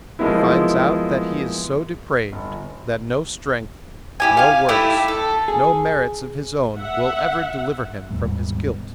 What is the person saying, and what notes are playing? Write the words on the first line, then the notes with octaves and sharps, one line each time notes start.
He finds out that he is so depraved, that no strength, no works, no merits of his own will ever deliver him from his guilt.
F3 F#3 G#3 A#3 B3 E4
G1
E4 G4 G#5
F5 G#5
A3 E4 G4 E5
A4
G#4
E5 F#5
D#2 G#2 B2 G3